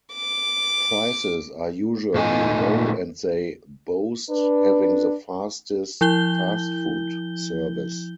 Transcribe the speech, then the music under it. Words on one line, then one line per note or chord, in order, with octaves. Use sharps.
Prices are usually low and they boast having the fastest fast-food service.
D6
A#2 A3 D#4 G#5
D4 B4
F3 E4 G6 G7